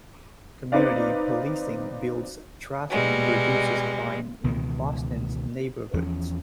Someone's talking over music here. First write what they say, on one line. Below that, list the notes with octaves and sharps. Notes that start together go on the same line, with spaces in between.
Community policing builds trust and reduces crime in Boston's neighborhoods.
C4 D#4 B4 D5 F5
B2 G3 G#3
C#2 B2 D#3 E3
E2 F3 F#3 C#4